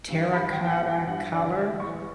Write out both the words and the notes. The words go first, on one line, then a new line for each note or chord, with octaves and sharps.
terracotta color,
G2
G3 B5
G5
E2
G5
F#5
E1
G5
G2 F#5
D3 D5
G3 E5
E2 C#6